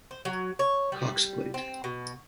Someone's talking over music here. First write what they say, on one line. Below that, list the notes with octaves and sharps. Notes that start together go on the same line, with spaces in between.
Cox Plate.
C5
F#3
C#5
G3
C4
B2